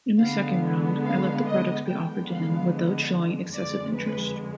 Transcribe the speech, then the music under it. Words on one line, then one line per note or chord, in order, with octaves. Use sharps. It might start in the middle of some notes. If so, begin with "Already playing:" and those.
In the second round, I let the products be offered to him without showing excessive interest.
D3 G#3 B3 F5
F5
D#5
D3 F3 G#3 B3 G5
F5
D#5
F2 D3 G#3 D5
B4